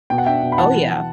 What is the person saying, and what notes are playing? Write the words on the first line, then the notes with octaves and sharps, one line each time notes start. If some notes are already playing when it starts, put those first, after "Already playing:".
Oh yeah.
B2 G5
F#5
D4 E5 G5
B2
B5
E3 F#5 A5
E3
E3